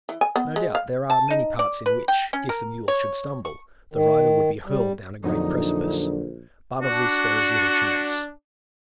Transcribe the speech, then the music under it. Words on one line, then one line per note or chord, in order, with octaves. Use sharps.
No doubt there are many parts in which, if the mule should stumble, the rider would be hurled down a great precipice; but of this there is little chance.
E3
G#5
B3
G#3
F5
A5
D#4
D5
B4
G5
C#4
A#4
C#5
C#6
D#3
G3
A#1 F2 D3 F#3 D#4
D4 F#4